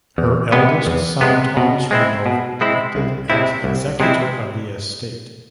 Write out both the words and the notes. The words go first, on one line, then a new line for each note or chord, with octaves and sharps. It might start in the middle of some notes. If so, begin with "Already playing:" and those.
Her eldest son Thomas Randolph acted as executor of the estate.
E2
C3 G#3 B3
E2
C3 G#3 B3
B2
G#3 C4 E4
B2
G#3 C4 E4
C2
C3 G#3 C4 E4
C2
C3 G#3 C4 E4